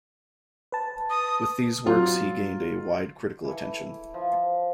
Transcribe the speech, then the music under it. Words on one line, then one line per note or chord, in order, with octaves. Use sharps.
With these works he gained a wide critical attention.
B4 A5
D#6
F#3 F4
E3 E4 A4
F3